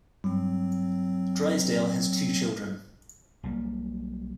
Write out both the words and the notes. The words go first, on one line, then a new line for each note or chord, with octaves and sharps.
Drysdale has two children.
G2 F#3 C4
B1 G3 A#3